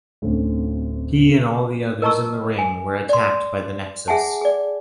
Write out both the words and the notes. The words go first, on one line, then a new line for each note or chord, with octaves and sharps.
He and all the others in the ring were attacked by the Nexus.
D1 D2 A3 C4 C#4
A#4 D#5 A5 A#5 C#6 E6
G#5
D5 C6
G#4 E5 F#5 G#5 A5
G#4 D5